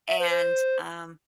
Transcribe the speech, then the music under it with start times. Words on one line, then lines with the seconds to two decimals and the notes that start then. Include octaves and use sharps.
and, um,
0.08 E5
0.20 C5
0.30 C5